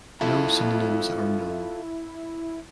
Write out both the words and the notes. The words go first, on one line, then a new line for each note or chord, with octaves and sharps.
No synonyms are known.
E4 F4 A4